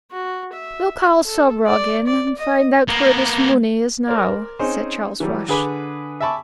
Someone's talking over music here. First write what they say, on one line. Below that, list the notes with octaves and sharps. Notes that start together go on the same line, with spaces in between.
"We'll call Subrug in and find out where this Mooney is now," said Charles Rush.
F#4
E5
A4
D5
D5
D#5
A#3 B3
A#4 C5 D5
C4 C#4 D#4 G#4 C5
E3 F#3 G3
D3 G#4 B4 D6
E5 G#5 A5 B5 C#6 D6